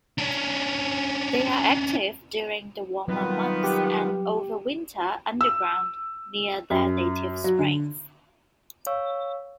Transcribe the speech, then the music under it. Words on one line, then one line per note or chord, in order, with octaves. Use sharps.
They are active during the warmer months and overwinter underground near their native springs.
C#4 D4
D#3 F#3 G3 B3 C4 F4 B4
G4
E6
F#2
F#3
D3
C#5 F5 C#6 E6